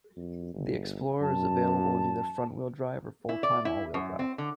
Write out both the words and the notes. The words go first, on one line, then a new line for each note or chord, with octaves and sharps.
The Explorer is available in either front-wheel drive or full-time all-wheel drive.
F2
G1
F#2 A5
E4
D5
E4
F#2
C4
D3